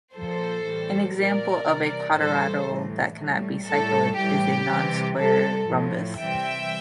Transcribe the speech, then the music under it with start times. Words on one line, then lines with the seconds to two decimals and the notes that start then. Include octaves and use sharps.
An example of a quadrilateral that cannot be cyclic is a non-square rhombus.
0.14 A#2 F3 A4 C5
0.64 A2 E3 G3
1.15 A#2 F3 A#4 D5
1.66 C3 E3 G3
2.16 A2 E3 G3 A4 C5
2.66 A2 E3 G3
3.16 A2 G3
3.66 A2 G3 A4
4.16 A2 E3 G3 G4
4.67 C3 E3 G3
5.17 G3 A4
5.22 C3
5.68 A2 F3
6.18 C3 E3 G3 E5 G5